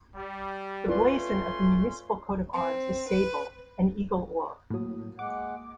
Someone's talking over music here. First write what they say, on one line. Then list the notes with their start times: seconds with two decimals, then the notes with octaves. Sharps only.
The blazon of the municipal coat of arms is Sable, an Eagle Or.
0.14 G3
0.88 A3 C#4 F4 B4 D5 C6
2.54 C4
3.08 B4
4.70 A2 F#3 A#3 D#6
5.19 G#3 F#5 D6